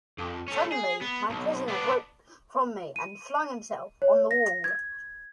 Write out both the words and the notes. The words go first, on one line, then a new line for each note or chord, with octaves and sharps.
Suddenly my prisoner broke from me and flung himself on the wall.
F2
A3 C#4
G#4
B3
B1
B3 D4
D#7
C#5
A#6
G#6